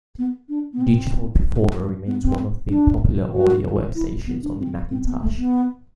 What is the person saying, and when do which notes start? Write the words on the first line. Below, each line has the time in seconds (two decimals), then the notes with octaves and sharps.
Digital Performer remains one of the popular audio workstations on the Macintosh.
0.18 B3
0.49 D4
0.73 B3
0.81 C4
2.07 B3
2.23 C4
2.69 D4
3.33 F#4
3.95 E4
4.27 B3
4.43 D4
4.59 C4
4.91 C4
5.06 B3
5.22 A3
5.38 B3